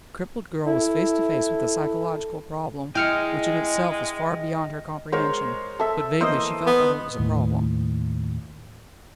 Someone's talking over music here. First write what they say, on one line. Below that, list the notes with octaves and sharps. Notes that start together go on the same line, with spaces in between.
The crippled girl was face to face with a psychological problem, which in itself was far beyond her comprehension, but vaguely she felt that it was a problem.
E4 A4
G#3 E4 G#4 D#5 G5 F6 C#7
G#3 A#4 C5 C#5
A4 E5
E3 A#3 C5 D#5 E6
B3
D#2 A2